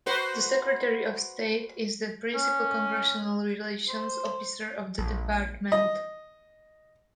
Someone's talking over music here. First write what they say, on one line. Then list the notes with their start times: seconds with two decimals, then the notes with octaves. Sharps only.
The Secretary of State is the principal Congressional Relations Officer of the Department.
0.06 F#4 B4 C5
2.35 C#4
3.89 C5
4.98 A#1
5.72 D#5